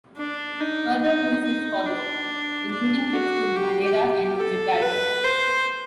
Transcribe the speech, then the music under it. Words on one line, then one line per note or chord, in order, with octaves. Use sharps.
Further cruises followed, including trips to Madeira and Gibraltar.
D4
D#4
D#4
D#4
D4
D4
F#4
G4
G4
G4
A4
B4
C5